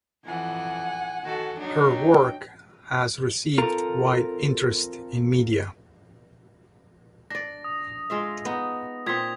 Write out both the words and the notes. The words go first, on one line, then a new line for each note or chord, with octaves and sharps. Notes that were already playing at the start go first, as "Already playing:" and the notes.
Her work has received wide interest in media.
F2 E3 F#5 G#5
D#3 F#4 A4
F#3 D4 D#4
G5
C4 F4 A4 A#4 A#5
D4 D5 A#6
D#6
G#3 F4 E5
B3 D#4
A#2 C4 D#6 G#6 B6